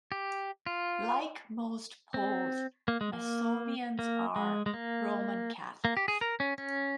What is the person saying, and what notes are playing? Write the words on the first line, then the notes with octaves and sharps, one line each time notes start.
Like most Poles, Masovians are Roman Catholics.
G4
F4
C4
A#3
G#3
A#3
A#3
G#3
G#3
A#3
A#3
G4
G#4
A#4
C#4
C#4